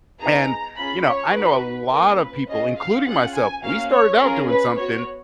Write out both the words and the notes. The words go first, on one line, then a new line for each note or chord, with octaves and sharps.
and, you know, I know a lot of people, including myself, we started out doing something,
B3 D#4 G#4 A#5
C#4 F4 G#4 B5
C#5
B3 D#4 F#4 B4
A#3 C#4 F4 A#4
B4
C#4 F4 G#4 D#5
F5
C#4 F4 G#4 F#5
G#5
A#3 C#4 F#4 F5
C#5
C#4 F4 G#4 A#4
B4
B3 F#4 C#5